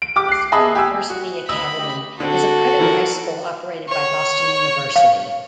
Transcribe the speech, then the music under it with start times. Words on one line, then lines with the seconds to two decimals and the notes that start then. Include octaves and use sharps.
Boston University Academy is a private high school operated by Boston University.
0.02 D7
0.16 G4 D6
0.28 F#6 C7
0.52 G#4 D#5 E5 A5 B5 D#6
0.75 G4 G#5 E6
1.10 F#4
1.49 D2 D#5 B5 E6
1.79 G4 D#5
2.20 D3 C4 F#4 A4
2.79 E3 F3 A#4
3.88 C#5
4.96 F5